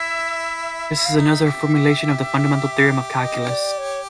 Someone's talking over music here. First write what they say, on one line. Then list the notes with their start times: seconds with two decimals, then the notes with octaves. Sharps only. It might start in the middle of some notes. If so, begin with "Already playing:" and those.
This is another formulation of the fundamental theorem of calculus.
Already playing: E4 E5
1.05 F5
1.15 D#4 E5
1.44 G4
1.74 G4
2.03 G4
2.90 E5
3.11 E5
3.19 D#5
3.48 D5
3.77 C#5